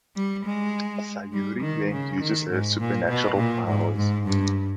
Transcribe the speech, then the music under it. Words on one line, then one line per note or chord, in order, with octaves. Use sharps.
Sayuri then uses her supernatural powers.
G3
G#3
G3
D#3
C#3
D#3
G#2
A#2
B2
A#2
G#2
G#2
G2